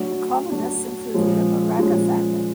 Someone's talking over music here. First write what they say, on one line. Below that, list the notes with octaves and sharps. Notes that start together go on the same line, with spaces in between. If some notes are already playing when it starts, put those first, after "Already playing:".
The colonists included the Moraga family.
Already playing: F#3 A3 D4 F#4
F#3 A3 D4 F#4
A#2 F3 G#3 C#4
A#2 F3 G#3 C#4